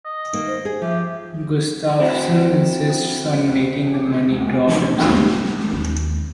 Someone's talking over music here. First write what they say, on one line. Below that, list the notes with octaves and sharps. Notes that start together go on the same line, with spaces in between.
Gustafson insists on making the money drop himself.
D#5
D#3 A#3 D#4
C5
G#4
F3 G4 E5
C4 E4 F#4
D#2